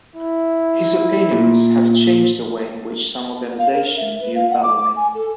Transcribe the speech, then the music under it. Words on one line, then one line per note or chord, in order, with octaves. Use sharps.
His opinions have changed the way in which some organisations view Bellamy.
E4
A#2
F5
A#4
E5
B4
F5
F#5
D6
D6
G#5
A4